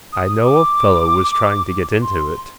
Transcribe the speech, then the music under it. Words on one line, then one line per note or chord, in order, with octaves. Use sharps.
I know a fellow was trying to get into it.
D#6
D6
C6